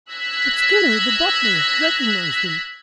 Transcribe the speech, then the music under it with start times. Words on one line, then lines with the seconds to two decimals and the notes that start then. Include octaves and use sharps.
"But Skinner--the butler--recognised him?"
0.12 E6 F#6 G#6 A#6 B6